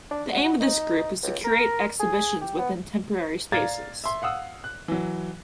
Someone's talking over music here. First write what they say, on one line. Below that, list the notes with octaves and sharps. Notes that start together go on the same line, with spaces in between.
The aim of this group is to curate exhibitions within temporary spaces.
D4
F#4
D#4
C#2
A#4
G#4
G4
B3
D5 F5 A#5 G#6 A6
E5 C6
F5 F#5 D#6 E6
F#6
E3 F#3